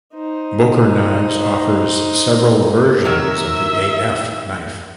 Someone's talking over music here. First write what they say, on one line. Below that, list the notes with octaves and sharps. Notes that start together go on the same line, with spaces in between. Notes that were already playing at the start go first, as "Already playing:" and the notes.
Boker Knives offers several versions of the A-F knife.
D#4 C5
D#3 F#3 A#4 E5